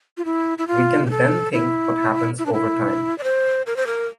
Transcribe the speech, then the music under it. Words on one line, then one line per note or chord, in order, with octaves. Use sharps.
We can then think what happens over time.
F4
E4
E4
F4
G4
A4
E4
E4
D4
E4
D5
C5
A#4
C5
A#4